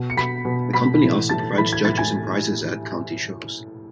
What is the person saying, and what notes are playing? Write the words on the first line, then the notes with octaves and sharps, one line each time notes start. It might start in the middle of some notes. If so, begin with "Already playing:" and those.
The Company also provides judges and prizes at County Shows.
Already playing: B2
C#7
B2 B5 B6
B2
B2 B5 B6
A2 E3
A2 E3 A5 A6
A2 E3 B5 B6
G#6
A2 E3 A6
G#5 G#6